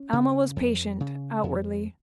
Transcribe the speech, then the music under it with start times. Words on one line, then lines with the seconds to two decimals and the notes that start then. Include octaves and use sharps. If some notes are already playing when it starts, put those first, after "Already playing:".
Alma was patient--outwardly.
Already playing: C#4
0.13 C#3
0.56 F2
1.00 C#3
1.43 F2